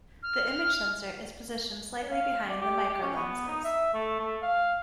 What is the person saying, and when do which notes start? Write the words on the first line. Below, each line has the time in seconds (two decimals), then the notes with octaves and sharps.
The image sensor is positioned slightly behind the microlenses.
0.23 F6
2.11 F5
2.49 D5
2.61 G4
2.90 G4
3.03 C#4
3.17 B3
3.48 D#4
3.64 E5
3.94 A3
4.19 A3
4.42 F5